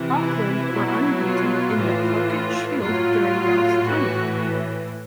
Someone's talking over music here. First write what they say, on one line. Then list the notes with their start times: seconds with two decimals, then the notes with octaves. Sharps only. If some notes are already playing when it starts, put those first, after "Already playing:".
Auckland were unbeaten in the Plunket Shield during Relf's tenure.
Already playing: C3 E3
0.20 E4
0.71 B2 F#3
1.24 F4
1.76 A2 E3
2.28 F4
2.80 A2 F#3 F4
3.84 A2 E3 F#4